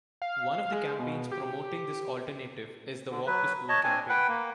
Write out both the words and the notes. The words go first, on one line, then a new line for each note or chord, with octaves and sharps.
One of the campaigns promoting this alternative is the walk to school campaign.
F5
G#3
B2
G4
D3
F#3 B4
C#5 D#5 A5
C4 D4 G#5
B4 F#5 G5
A#3